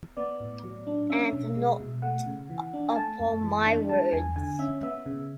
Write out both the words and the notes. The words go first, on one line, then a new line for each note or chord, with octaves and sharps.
And not upon my words.
B3 D5
A2
F#3
D4
C#4 E5
B2
G#3
B2
A3 F#5
C#3
E3
D4
G#5
A3 A5
F#2
E3
D4
G#3 A5
E2 G#5
D3 G#5
C#4 E5
B3 E5
C#3